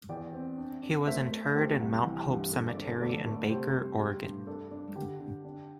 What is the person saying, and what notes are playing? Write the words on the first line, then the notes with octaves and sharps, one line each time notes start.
He was interred in Mount Hope Cemetery in Baker, Oregon.
E2 D5 G5
C4
D4
D4
A3 C5 E5
A3
A3 G4 C5
C2
E3
G2
G2 A4
A4 D5
G1
A4 D5
D2 A4 D5
A3
C3 G4 C5
G3
G3
G2
D4 A4
D4
D3 G4
D3
D4